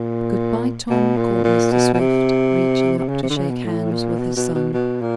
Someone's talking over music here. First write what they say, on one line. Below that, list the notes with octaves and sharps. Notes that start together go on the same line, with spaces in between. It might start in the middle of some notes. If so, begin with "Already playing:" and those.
"Good-by, Tom," called Mr. Swift, reaching up to shake hands with his son.
Already playing: A#2
B2
A#2
A#2
B2
B2
C3
C3
C#3
C3
D3
C#3
B2
A2
A#2
B2
B2
B2
B2
A#2